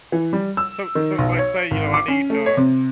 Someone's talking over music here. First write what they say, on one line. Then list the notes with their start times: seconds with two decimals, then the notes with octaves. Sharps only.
so so, like, say, you know, I need, um,
0.12 E3
0.33 G3
0.57 E6
0.95 D#3
1.18 B1
1.39 C#5
1.71 G#1
1.94 D6
2.08 C#4
2.30 A3
2.46 C#5
2.57 C3